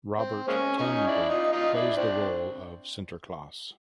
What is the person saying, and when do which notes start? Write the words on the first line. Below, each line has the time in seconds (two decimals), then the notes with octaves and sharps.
Robert ten Brink plays the role of Sinterklaas.
0.18 C4
0.48 G#3 A#3 C#4
0.78 C#4 D#4
1.07 D4 E4
1.29 D#4 F4
1.52 D#4 F4
1.73 D4 E4
1.96 C4 D4